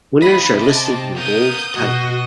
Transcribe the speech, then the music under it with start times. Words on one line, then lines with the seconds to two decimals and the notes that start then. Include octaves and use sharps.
Winners are listed in bold type.
0.22 D#2 D#5 B5 F#6
0.54 C3 D#5 A5 D6
1.16 B3 A#4 D#6 G6
1.76 B2 F#4 D#5